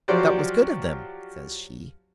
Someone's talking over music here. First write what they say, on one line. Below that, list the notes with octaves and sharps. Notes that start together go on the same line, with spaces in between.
'That was good of them,' says she.
F3 F#3 G4 C5 D5